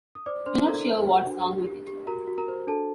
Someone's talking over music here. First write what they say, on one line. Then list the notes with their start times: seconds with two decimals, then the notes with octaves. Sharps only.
We're not sure what's wrong with it.
0.15 D#6
0.26 C5 D5 D6
0.46 D4 C5 C6
0.66 A4 A#4 A#5
0.87 C5
1.07 F#4
1.27 D4
1.46 G4
1.67 G4
1.87 G4
2.07 F#4 A#4 A#5
2.27 F#4
2.38 A#4 A#5
2.48 C5
2.67 D4 A4 A5